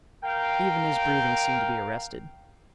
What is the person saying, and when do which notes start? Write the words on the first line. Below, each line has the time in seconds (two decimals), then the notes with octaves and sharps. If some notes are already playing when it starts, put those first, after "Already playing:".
Even his breathing seemed to be arrested.
0.24 A#4 F5 G5